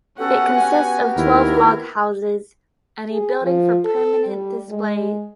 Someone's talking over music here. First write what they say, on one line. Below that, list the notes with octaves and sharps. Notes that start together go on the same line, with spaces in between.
It consists of twelve log houses, and a building for permanent displays.
B3 C#4 F#4 G4 A4 F#5
G#5
D#2 E4 A#4
G#4
F3
A4
G3
G#3